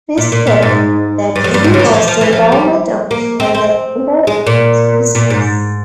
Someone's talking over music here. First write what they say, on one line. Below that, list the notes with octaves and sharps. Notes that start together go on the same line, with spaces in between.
Fitzgerald knew that Libby was the government official that Miller refused to discuss.
A#2
A#2
A#2
G#2
G2
F2
G2
G#2
C#3
E3
F3
F3
E3
F3
G3
A#3
C4
C4
G#3
A#2
A#2
G#2